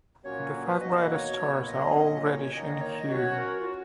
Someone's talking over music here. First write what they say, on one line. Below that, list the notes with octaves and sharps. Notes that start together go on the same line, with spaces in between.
The five brightest stars are all reddish in hue.
A#2 F#3 A#3 C#4 F#4 C#5
B4
B2 A#3 D#4 F#4 D#5
C#5
A#2 F#3 B3
D#5
A#2 F#3 C#4
C#5
D#3 A#3 D#4 D#5
D#5
C#5
D#5
F#3 C#4 F#4 C#5
A#4
F4
F#4